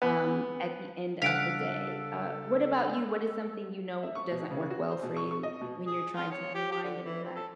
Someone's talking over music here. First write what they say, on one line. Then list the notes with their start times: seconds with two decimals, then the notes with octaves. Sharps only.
um, at the end of the day. Uh, what about you? What is something you know doesn't work well for you when you're trying to unwind and relax?
0.02 B3
1.22 C#3 G3 D4 A4 F5 F#5 B6 D7
4.03 E5
4.15 C#6
4.32 B2
4.51 C#3
4.70 F#4
4.91 C5
5.03 B2
5.16 C#6
5.31 C#6
5.43 D#5
5.61 B2
5.87 G#4
6.16 F4
6.31 C#5
6.55 G4
6.72 G4
6.84 D3
7.05 E3
7.24 C4
7.36 A4